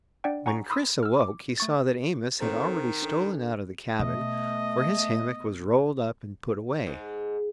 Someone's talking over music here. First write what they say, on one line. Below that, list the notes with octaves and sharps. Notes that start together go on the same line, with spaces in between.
When Chris awoke he saw that Amos had already stolen out of the cabin, for his hammock was rolled up and put away.
D4 D5 F#5 G5
F#5 G#5 A#5 C#6
B5 C6 D#6 E6
E6 F6
D6
A3 C#6 A6
F2 D#3 C4 A4 C5 A5
D4 A4 C#5
B2 A3 D#5
G#2